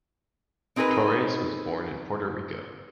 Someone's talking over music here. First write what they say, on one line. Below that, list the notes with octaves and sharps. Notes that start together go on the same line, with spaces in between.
Torres was born in Puerto Rico.
C4 D#4 G#4 A#4 B4